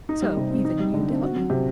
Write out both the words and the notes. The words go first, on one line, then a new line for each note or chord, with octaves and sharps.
"So, even you doubt me?"
D#4
G3
C3
C4
D#4
G3
D3
C4
F#4
F#3
C3